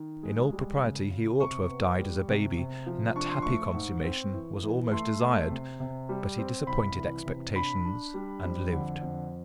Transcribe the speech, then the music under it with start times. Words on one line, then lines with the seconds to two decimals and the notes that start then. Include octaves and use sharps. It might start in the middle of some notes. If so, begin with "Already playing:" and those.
In all propriety he ought to have died as a baby, and that happy consummation was almost desired, but he disappointed expectations and lived.
Already playing: D#3
0.23 G#3
0.53 G3
0.81 C#3
1.11 C#3
1.40 C3 C#6
1.69 B3
1.98 G3
2.28 C3
2.57 C3
2.86 F3
3.16 D4 C#6
3.29 C6
3.42 A3 C#6
3.74 G#2
4.04 C4
4.33 E3
4.63 E3
4.91 A3 C6
5.21 A3
5.50 C3
5.80 C3
6.09 G3
6.38 C4
6.67 C2 B5
6.96 E3
7.26 C3
7.55 D4 B5
7.85 D4
8.14 G3
8.43 F2
8.72 D3
9.01 F2